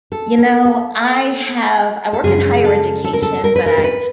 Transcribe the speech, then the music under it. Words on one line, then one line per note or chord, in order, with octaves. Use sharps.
You know, I have I work in higher education, but I,
A4
A#4
A4
A4
F#2 C#3 F3 G#3 G#4
A4
A4
A#4
A4
A#4
B4
A#4
A#4
B4